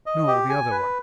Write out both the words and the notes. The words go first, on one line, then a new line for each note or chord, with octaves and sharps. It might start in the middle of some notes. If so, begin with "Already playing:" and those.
"No, the other one."
D#5
G4
G#5
B4